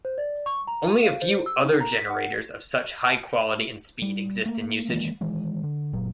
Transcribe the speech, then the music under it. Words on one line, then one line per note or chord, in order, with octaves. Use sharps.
Only a few other generators of such high quality and speed exist in usage.
C5
D5
C#6
A#5
D#7
F5
C5
E6
D#4
A#5
B6
F#5
G3
A3 A#3
D#3 E3 G#3 A#3
D#3 E3 G#3
D3
F#1 A#2 F#3